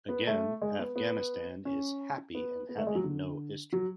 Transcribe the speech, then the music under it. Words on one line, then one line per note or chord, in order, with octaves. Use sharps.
Again Afghanistan is "happy in having no history".
B3
A3
G#3
B3
B3
C#4
B3
B3
A3
G#3
F#3
D3
F#3